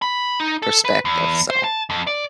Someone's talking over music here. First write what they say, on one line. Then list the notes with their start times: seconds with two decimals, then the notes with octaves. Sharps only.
perspective, so
0.02 B5
0.40 D#4
0.62 A4
0.85 B4
1.05 E2
1.50 C5
1.64 A5
1.90 F2
2.07 D5